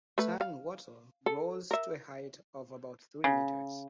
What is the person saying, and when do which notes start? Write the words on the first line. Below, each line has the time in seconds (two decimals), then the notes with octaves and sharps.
Tan wattle grows to a height of about three metres.
0.18 A3 B4
0.41 F5
1.26 A4
1.71 A#4 E5
3.24 C#3